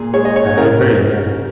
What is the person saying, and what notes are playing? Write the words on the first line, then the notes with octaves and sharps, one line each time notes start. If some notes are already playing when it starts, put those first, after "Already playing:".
Yeah, I agree, yeah.
Already playing: A#2 G#4
G#3 C#5
D#5
C#5
C#3 A#4